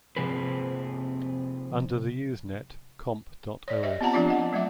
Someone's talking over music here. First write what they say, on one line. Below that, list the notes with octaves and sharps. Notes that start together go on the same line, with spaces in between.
Under the Usenet comp.os.
C3 F3 C4 G#4 B4
C#5 D5
G4 C#5 D#5 E5
B3 C4 F4 F#5 A5 A#5
F3 B3 D4 F4 D5 D6
D#5 F#5
F#3 A3 E5 D6